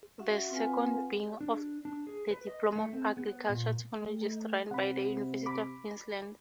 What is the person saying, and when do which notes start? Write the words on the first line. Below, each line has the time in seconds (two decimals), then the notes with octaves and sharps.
The second being the Diploma of Agricultural Technologies run by the University of Queensland.
0.19 C#4 F#4 E5 F#5
0.50 C4 F4 B4 F5 F#5 G#5
1.41 D4
1.85 D4
2.07 G#4
2.31 B4
2.47 D#5
2.76 A3
2.93 C4
3.17 B3
3.49 A#2
4.02 A3
4.71 C3 F#5 B5
5.46 B5 D6